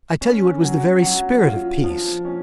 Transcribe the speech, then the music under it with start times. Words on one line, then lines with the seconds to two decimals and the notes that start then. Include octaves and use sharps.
I tell you it was the very spirit of peace.
0.21 C#4
0.61 F#3
1.02 F#3
1.43 F4
1.84 F3
2.25 C#4